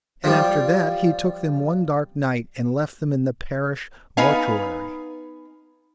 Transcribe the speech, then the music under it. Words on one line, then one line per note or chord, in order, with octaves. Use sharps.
And, after that, he took them one dark night and left them in the parish mortuary.
F3 G3
B3 D#4 B4 F5 G#5